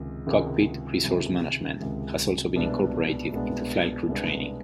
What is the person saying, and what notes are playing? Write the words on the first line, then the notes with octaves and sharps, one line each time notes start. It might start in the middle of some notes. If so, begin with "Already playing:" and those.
"Cockpit Resource Management" has also been incorporated into flight crew training.
Already playing: C#2 C3 D#3 G#3
C#2 C3 D#3 G#3
C#2 C3 D#3 G#3
C#2 C3 D#3 G#3
C2 B2 G#3 B3 D4
C2 B2 G#3 B3 D4
C2 B2 G#3 B3 D4